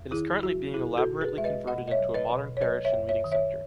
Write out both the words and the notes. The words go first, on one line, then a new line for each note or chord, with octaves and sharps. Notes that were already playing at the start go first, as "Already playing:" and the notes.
It is currently being elaborately converted into a modern parish and meeting center.
Already playing: E2
D#3 E4 G#4
F#3 F#4
B2 E4 G#4
F#4 A4
B2
G#4 B4
G#3 E5
B4 D#5
B2 D#5 F#5
D#5
C#5 E5
F#3
B4 D#5
B2
C#5
F#3 B4 D#5
C#5 E5
F#2
C#5 E5
D#3
C#5 E5